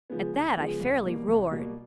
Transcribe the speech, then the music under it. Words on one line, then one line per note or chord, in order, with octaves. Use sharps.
At that I fairly roared.
C#3 F3 G#3 B3
D2
C#3 F3 G#3 B3
C2
B2 G3 A#3
C2
B2 G3 A#3